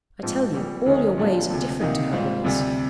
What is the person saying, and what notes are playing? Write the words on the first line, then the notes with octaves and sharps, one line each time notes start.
I tell you, all your ways are different to her ways.'
A#1 G#2 F3 C4
A#1 A#2 G3
D2 D3 G#3 D#4
A#2 G3 D4 F4
D2 C3 F3
C2 C3 D#3 A#3 D#4
G#2 G3 C4 F4
D2 C3 G3